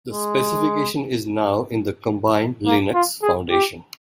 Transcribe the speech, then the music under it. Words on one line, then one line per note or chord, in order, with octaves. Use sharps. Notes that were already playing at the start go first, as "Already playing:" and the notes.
The specification is now in the combined Linux Foundation.
G#3
A#3
F4
G#4
G4